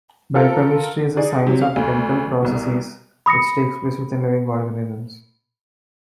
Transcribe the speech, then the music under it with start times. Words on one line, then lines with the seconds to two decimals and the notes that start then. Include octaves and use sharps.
Biochemistry is the science of the chemical processes which takes place within living organisms.
0.35 F4 A4 A#4
1.17 D#4 G#4 D5
1.47 C3 F#3
1.61 F5
1.76 D2
2.42 C2 B2
3.26 B5 D#6 A#6 C#7